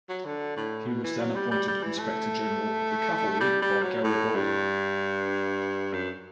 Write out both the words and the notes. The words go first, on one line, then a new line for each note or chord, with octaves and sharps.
He was then appointed inspector general of the cavalry by Garibaldi.
F#3
D3
A2
B2
E3
F#3
G3
G3
G3
E3
A3
G3
G3
F#3
A2
G2
F#2